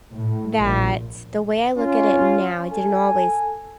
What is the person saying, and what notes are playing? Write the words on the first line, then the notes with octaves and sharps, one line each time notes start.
that the way I look at it now, I didn't always
A2
A#1
C#4 F4
A4 G#5